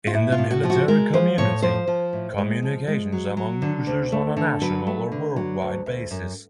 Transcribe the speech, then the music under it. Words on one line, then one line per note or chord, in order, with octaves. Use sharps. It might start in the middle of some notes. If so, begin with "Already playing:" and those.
In the military community, communications among users on a national or worldwide basis.
F4
A2 E4
F4
A2
F#4
F3
F#4
G#3 A#4
F3 C5
A2 C#5
F3 C5
F3
A2
G#3
F3
G#3
F#3
F#3
D3
D2
A3
D3
F#3 B4
A3
D3
F#3
D2
D2
F#2